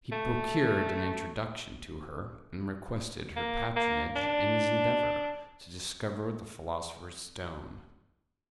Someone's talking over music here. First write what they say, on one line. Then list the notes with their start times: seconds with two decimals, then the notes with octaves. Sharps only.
He procured an introduction to her, and requested her patronage in his endeavour to discover the philosopher's stone.
0.12 A3
3.36 A#3
3.76 A#3
4.16 D4